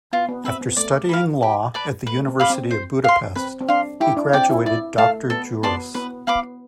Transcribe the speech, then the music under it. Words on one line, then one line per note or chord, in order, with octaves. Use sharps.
After studying law at the University of Budapest he graduated "doctor juris".
B3 F4
B3
C4 B4 E5
B3
A3 D5
F5 B5
G4
B4 D5 A5
A3 B4
C4
F5 B5 D6
C4
C5
F5 C6
C4 B4
C4
D4 F5 C6
E4 G4
D4
C4 D5 G5
E4
E4 D5
A3 F5 A5
B3 A4
B3 D5 A5 C6
B3 B4
B3 F5 B5 D6